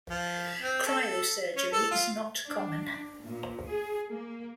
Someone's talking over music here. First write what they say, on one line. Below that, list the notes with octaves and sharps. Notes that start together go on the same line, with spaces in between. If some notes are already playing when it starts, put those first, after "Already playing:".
Cryosurgery is not common.
F3
C4
A4
C#4
A4
F4
D4
A#2
G#4
A#3